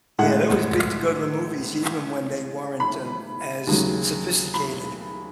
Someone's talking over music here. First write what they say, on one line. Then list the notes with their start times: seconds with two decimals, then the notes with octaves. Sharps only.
Yeah, that was big to go to the movies even when they weren't, uh, as sophisticated
0.19 A2 G#3 F#5
2.80 B5
3.67 D#2 C#3 F#3
4.54 B5